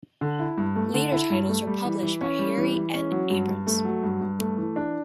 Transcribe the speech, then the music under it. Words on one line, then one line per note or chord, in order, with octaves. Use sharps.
Later titles were published by Harry N. Abrams.
D3
E4
G2
A3
D3
E4
G2
A3
G3
E3
E3
C#4
G3
E3
E3
C#4
F#3
G2
G2
A3
F#3
G2
G2
A3
E3
D4